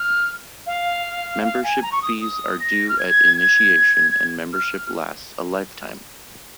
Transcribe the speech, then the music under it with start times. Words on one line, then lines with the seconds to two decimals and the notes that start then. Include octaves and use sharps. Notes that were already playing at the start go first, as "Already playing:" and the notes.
Membership fees are due at initiation and membership lasts a lifetime.
Already playing: F6
0.67 F5
1.44 F5
1.64 G#5
1.82 A#5
1.92 C#6
2.02 D#6
2.21 D#6
2.60 A#6
2.89 F6
2.99 G#6
3.37 G#6
4.53 F6